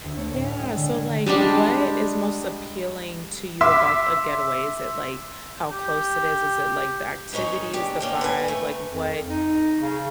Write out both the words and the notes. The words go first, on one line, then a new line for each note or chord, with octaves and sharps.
Yeah, so, like, what is most appealing to you about a getaway? Is it like how close it is, is it like the activities, the vibe? Like what
D2
C#5
A2
F5
G#3
D3
G#6
G3 G#3 D4 G4
E5 C6 D6 E6 B6
G4
G#3 C#4 D#4 C#5
D4 G4
A#3 C#4 G5
B4 G#5
A3
F2
D#4
C#3